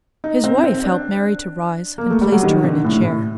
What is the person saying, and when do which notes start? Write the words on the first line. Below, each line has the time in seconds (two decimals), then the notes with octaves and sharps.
His wife helped Mary to rise, and placed her in a chair.
0.24 D#4
0.44 C4
0.64 C4
0.84 D4
1.98 A#3
2.10 A3
2.21 G3
2.32 F#3
2.43 D#3
2.64 D3
2.84 A2
3.03 A2